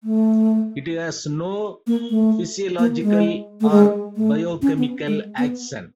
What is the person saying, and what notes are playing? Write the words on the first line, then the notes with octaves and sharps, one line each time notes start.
It has no physiological or biochemical action.
A3
A#3
A3
A#3
G#3
A3
G#3
A3
C#4
B3
G#3
B3